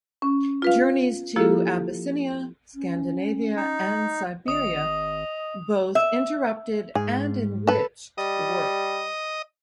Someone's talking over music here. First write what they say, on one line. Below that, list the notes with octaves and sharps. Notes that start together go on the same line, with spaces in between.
Journeys to Abyssinia, Scandinavia and Siberia both interrupted and enriched the work.
C#4
F4 B4 F5
F3 A#3 E4 F4 G4 A4
C#4
D#4
G#1 D#5 D#6
E5
G#2 G#4
A4 B4
G3 D#5